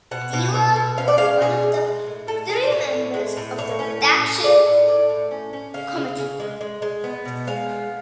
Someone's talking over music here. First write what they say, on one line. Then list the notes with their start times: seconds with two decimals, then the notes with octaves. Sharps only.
Dehler was one of three members of the redaction committee.
0.11 B2 F#5
0.33 B2
0.54 B2
0.76 B2
0.98 C#4 F5
1.08 D5
1.18 G#3 F5
1.41 B2 G#4
1.63 G#3
1.85 G#3
2.06 A2
2.27 A2 A4
2.49 A2 G#4
2.63 D5
2.71 A2 C#5
2.93 A2
3.14 G#3
3.37 A2
3.58 A2 C#5
3.79 C#4
4.01 A2
4.23 A2
4.43 G#3 D5
4.66 A2
4.87 A2 D5
5.09 A2
5.31 C#4
5.53 C#4
5.74 C#3 F5
5.96 C#3
6.18 C#3
6.40 G#3
6.61 G#3
6.82 G#3
7.04 B3
7.25 B2
7.47 G#3 F5
7.69 B3